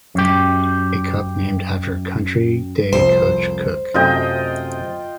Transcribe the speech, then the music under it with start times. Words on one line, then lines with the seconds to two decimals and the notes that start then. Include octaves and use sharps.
The cup named after Country Day coach Cook.
0.15 F#2 G4
2.93 C2 F2 C5
3.94 F#2 C3 A3 F4 D#5 G5